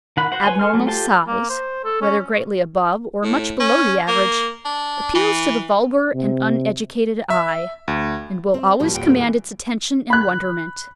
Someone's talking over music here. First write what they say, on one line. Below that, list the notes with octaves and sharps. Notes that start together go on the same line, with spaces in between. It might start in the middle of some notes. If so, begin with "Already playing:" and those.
Abnormal size, whether greatly above or much below the average, appeals to the vulgar and uneducated eye, and will always command its attention and wonderment.
D#3 F#5 B5
F#4 C5 F#5
B4 C#5 G#5 C6
A4 G#5 C6 F6
F#3 A3
F4 G4 A4 C5 A5
A#3
C5
A4
C#4
A2
C#4
A#3
D4
E3
C3
E5
D2
C4
F#2 A2 F3 G3 A#3
E2 A#2 G5
G3 A3 A#3
E3
B5 F#6